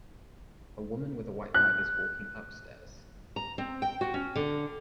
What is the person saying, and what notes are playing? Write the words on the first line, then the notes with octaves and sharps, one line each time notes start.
A woman with a white bag is walking upstairs.
F#6
A#5
C4
G5
F#4
C#4
D3